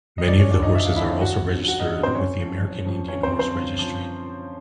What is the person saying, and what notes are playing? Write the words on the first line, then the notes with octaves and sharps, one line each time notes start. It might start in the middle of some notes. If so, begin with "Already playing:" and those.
Many of the horses are also registered with the American Indian Horse Registry.
D#5
F1 D4 D5
C#4 C#5
D#2 D3 F3 D4 D5
D#4 D#5
F1 E5
F5
D#2 D3 F3 E4 E5
G#1 F#4 F#5
F#2 D3
G#1 F#4 F#5
D#4 D#5
F#2 D3
C4 C5
F#1 C#4 C#5
F2 C#3 F3
F#1
F2 C#3 F3
G1 C#4 C#5
C4 C5
F#2 C#3 F3
C4 C5
G1
F#2 C#3 F3